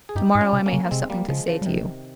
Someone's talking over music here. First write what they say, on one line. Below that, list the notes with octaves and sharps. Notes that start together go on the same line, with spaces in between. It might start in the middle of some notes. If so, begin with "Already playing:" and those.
To-morrow I may have something to say to you....
G#4
G2 D#4 G4
G#2
C#4 F4
C3
A#3 C#4
C#3
A#3
C3 G#3 C4
G3 A#3
C#3 F3 G#3
C#3 F3
G3
C3 D#3 F3